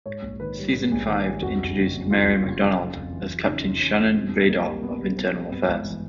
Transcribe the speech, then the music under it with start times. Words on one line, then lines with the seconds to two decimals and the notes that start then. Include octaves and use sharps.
Season five introduced Mary McDonnell as Captain Sharon Raydor of Internal Affairs.
0.06 G#2 C#5
0.22 A#1
0.40 D#3 B4
0.57 G3
0.73 G#2
0.91 A#1
1.07 D#3
1.25 G3
1.42 F2 F#4
1.59 F#1
1.76 C#3
1.93 F#3
2.10 F2 F4
2.26 F#1
2.44 C#3
2.61 F#3
2.78 C#3
2.95 F2
3.12 E3
3.29 F2
3.46 C#3 D#4
3.63 F2
3.80 E3 C#4
3.97 F2
4.14 B2 C4
4.32 C2
4.48 F#3 A#3
4.66 C2
4.82 B2 B3
4.99 C2
5.16 F#3 C4
5.33 C2
5.50 G2 B3
5.68 G#1
5.85 E3